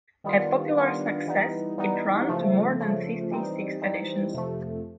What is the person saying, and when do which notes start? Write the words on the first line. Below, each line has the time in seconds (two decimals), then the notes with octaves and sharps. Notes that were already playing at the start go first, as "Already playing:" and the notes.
A popular success it ran to more than fifty six editions.
0.24 D#3 G3 B3 D4 F4
0.76 D#3 G3 B3 D4 F4
1.27 E3 G3 B3 D#4
1.78 E3 G3 B3 D#4
2.28 C#3 F3 A3
2.80 C#3 F3 A3
3.30 E3 G3 C4 D#4
3.81 E3 G3 C4 D#4
4.33 F2 C3 F3 A3